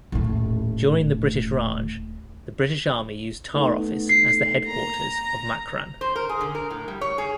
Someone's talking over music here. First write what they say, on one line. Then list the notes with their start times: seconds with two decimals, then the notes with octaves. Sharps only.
During the British Raj, the British Army used Tar-Office as the headquarters of Makran.
0.12 D#1 A2
3.54 A3 B3 D#4
4.09 C7
4.68 A#3 A#5
6.01 C5
6.16 A#4
6.29 G#4
6.41 D3
6.55 A#4
6.70 A2
6.88 G3
7.01 C#5
7.18 G#4